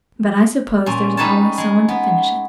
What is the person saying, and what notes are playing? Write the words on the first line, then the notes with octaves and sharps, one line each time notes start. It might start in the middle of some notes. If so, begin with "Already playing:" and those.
"But I suppose there's always some one to finish it."
A#2 C#4
G3 D#4 B4 C#5 A5
G#3
B3